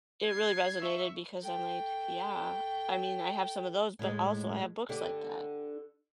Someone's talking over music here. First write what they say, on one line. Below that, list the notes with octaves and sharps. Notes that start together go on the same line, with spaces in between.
it really resonated because I'm like, "Yeah, I mean, I have some of those, but also I have books like that."
G#6 C7
E5 C#6
A4 G5
A2 G#3
D3 G4 D5